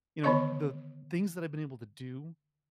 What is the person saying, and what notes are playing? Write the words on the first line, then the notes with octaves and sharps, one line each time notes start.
you know, the things that I've been able to do,
D3 D#3 B3 C#5 D#5 C#6